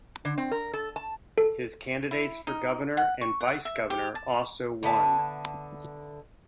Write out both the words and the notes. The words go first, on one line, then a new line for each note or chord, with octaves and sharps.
His candidates for governor and vice governor also won.
D3
C4
A#4
A4
A5
A4
E4
D#4
F#5
C#6
F#5
E5
G4
A5
D3 B3 E5 A5